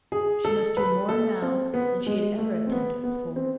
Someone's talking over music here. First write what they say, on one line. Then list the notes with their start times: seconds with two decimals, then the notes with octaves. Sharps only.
She must do more now than she had ever attempted before.
0.12 G#4
0.45 A4
0.77 B4
1.09 A4
1.42 C4
1.74 B3
2.07 G#3
2.39 A3
2.67 C4
2.72 B3
3.04 B3
3.36 C4